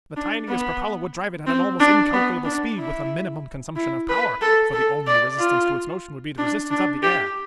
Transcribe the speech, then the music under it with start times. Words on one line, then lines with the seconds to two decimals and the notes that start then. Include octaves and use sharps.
The tiniest propeller would drive it at almost incalculable speed with a minimum consumption of power, for the only resistance to its motion would be the resistance of the air.
0.17 D4
0.49 B3
1.47 C4
1.80 D4
2.13 B3
2.45 D4
2.78 E4
3.76 E4
4.09 B4
4.41 A4
4.73 A4
5.07 D5
5.39 F4
6.38 D4
6.71 D4
7.03 G4